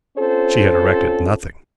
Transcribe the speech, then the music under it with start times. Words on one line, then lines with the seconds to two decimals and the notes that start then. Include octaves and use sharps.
She had erected nothing.
0.18 C4 C#4 F4 A4 C5